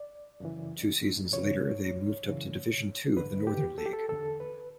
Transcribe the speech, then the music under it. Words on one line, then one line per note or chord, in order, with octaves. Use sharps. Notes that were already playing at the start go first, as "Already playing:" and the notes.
Two seasons later, they moved up to Division Two of the Northern League.
Already playing: D5
F#2 C#3 E3
F#2 C#3 E3 C#5
F#2 C#3 E3
E2 D3 B4
G4
A4
G4
A4
E2 D3 A4
B4